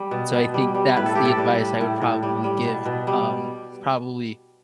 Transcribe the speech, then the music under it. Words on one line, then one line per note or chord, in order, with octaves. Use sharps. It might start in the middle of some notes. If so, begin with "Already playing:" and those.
So, I think that's the advice I would probably give, um, probably,
Already playing: G3
B2
B2
G3
G3
A2 B4
A4
A2 G4
A4
G3
G3
A2
A2
G3
G3
B2
B2
G3